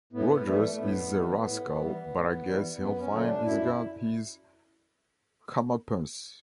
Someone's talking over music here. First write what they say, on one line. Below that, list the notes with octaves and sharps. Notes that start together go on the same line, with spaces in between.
Rogers is a rascal, but I guess he'll find he's got his comeuppance.
A2 B3
E3 G3 A3
A3
A2 B3
E3 G3
A2
E3 G3
A2
E3 G3
F#2 B3
C#4
D3 F#3 A3
D4
F#2 E4